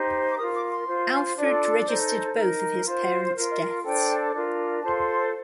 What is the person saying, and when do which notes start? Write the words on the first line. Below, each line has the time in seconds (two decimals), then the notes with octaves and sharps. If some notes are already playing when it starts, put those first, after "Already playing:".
Alfred registered both of his parents' deaths.
Already playing: D#4 G4 C5
0.30 D6
0.37 A#4 D#6
0.41 F4
0.55 D6
0.70 C6
0.87 F4 C5
1.37 D4 F4 A4 D5
1.86 D#4 A4 C5
2.35 D#4 A#4
2.85 F4 C5
3.35 F4 A#4
3.51 D#5
3.84 D4 A4 C5 G5
4.33 D4 F4 A#4
4.83 F4 A4 C5 A5
5.08 C6